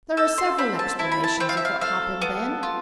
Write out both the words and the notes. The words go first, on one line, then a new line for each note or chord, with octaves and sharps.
There are several explanations of what happened then.
A4 E6
C6
C4 B5
A5
E4 A5
B5
A5
C4 G5
F5
E5
F5
A4 F5
B3
F4